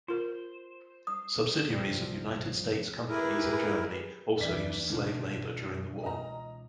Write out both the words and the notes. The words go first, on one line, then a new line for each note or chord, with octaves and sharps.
Subsidiaries of United States companies in Germany also used slave labor during the war.
F4 A#4 C5
D#6
C2 G2 C3 F3
E4 G4 G#4 A#4 B4
F1 D#2 E3 D5 E5 B6
C#2 B2 D3 F3
D#5 A#5